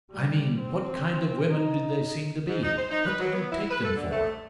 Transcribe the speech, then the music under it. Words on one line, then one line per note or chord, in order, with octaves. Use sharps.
"I mean what kind of women did they seem to be; what did you take them for?"
G3
C4
D#4
G#2
D#4
C5
D#4
B4
F#3
B3
E4
B4
A4
D3
A3